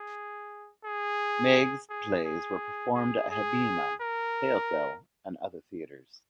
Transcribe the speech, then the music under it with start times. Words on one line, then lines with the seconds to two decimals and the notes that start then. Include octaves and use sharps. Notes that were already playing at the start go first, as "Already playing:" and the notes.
Megged's plays were performed at Habima, Ha-Ohel and other theaters.
Already playing: G#4
0.84 G#4
1.90 G#4
2.25 G#4
2.95 G#4
3.31 G#4
4.01 A#4